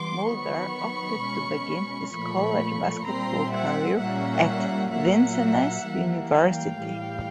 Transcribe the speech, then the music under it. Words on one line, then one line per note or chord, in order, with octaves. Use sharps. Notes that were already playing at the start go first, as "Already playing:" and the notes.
Mulder opted to begin his college basketball career at Vincennes University.
Already playing: E3 G3 B3 C6 D6
D#3 F#3 B3 B5 C#6
B2 G#3 C#4
A#2 F3 A3 B5 C#6
A#2 G3 C4 A#5 C6
E5 F#5
A#2 G3 A#3 C#4 E5 F#5
A#2 F#3 A#3 E5 F#5
E3 G3 A#3
F5 G5
A2 E3 G3